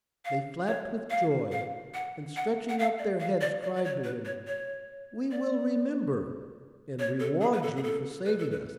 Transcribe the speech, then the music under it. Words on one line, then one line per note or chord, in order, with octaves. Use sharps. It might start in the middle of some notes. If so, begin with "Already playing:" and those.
They flapped with joy, and stretching up their heads cried to him: 'We will remember, and reward you for saving us.'
F5
C#5
F5
F5
F#5
F#5
F#5
F5
D5
F5
D5
D5
D5
C#5
B4
C#5
C#5
D5
C#5
A4
G#4
B4
A4
G#4
A4
B4
A4
B4